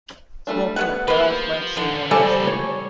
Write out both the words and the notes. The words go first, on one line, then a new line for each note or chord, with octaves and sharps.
Smoking, perhaps, might seem more natural.
G3 A3 D4
B3 C#4 F#5
F3 A#3 B4
D3 E3 F3
G3 A4 C5 D5 G#5 A5
C#5